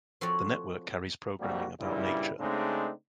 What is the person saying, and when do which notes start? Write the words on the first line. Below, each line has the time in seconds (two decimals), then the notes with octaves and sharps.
The network carries programming about nature.
0.21 F3 C4 F#4 A4 C#5 D5
1.40 A#1 F2 A#2 G3 A#3 F#4
1.80 G2 A#2 C#3 G3 E4
2.40 C#3 G#3 A3 C4 D4 D#4